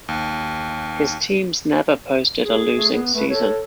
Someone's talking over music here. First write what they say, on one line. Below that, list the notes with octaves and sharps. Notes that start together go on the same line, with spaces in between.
His teams never posted a losing season.
D#2
G#4
A3
B3
A3 B4
A4 C#5